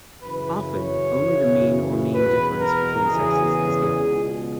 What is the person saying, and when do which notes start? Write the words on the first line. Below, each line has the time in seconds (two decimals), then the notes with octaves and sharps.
Often only the mean or mean difference between sexes is given.
0.22 F#2 C#3 E3 B4
0.70 C#5
1.17 F#2 C#3 E3
2.11 E2 B2 B4
2.59 A#4
3.06 E2 C#3 E3 G#4
4.01 C#2 B2